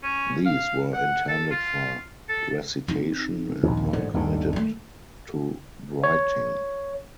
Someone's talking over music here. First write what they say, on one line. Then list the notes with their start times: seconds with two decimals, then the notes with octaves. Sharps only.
These were intended for recitation, and not committed to writing.
0.03 C#4
0.46 F5
0.94 F#5
1.28 A4
1.51 F4
2.29 A4
2.88 C4 D#4
3.63 A#1 D#2
3.77 C4
3.93 A1 G#2 D3
4.14 G1 D#2 D3
4.53 D#3 A3
6.04 C#5